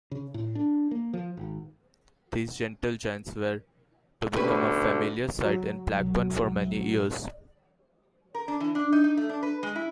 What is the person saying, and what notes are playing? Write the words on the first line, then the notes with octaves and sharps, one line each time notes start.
These 'gentle giants' were to become a familiar sight in Blackburn for many years.
C#3
A2
D4
A#3
F3
G#1
D2 B2 C#4 G4 B4
E2 C#3 F#3
E1 C2
A#2 C4
A#4
D4
E3
D4
D#4
D#4
A3
D4
B4
G#3
E4